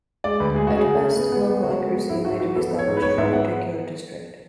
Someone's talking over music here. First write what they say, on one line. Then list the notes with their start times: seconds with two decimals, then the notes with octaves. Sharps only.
At best, local accuracy might be established for a particular district.
0.24 G#3 D5
0.40 D2 B4
0.55 G#3 G#4
0.67 C#3 F#4
0.77 G#4
0.87 C#3
1.01 C#3
1.17 B3
1.32 B3
1.47 B3
1.63 C#3 F#4
1.79 G#3
1.94 B3
2.09 G#2 E4
2.25 G#2 F#4
2.40 E3 F#4
2.56 B3 A4
2.71 B3
2.79 C#5
2.87 G#2
2.97 B4
3.02 B3 C#5
3.18 G#2 E5
3.33 B3 F#5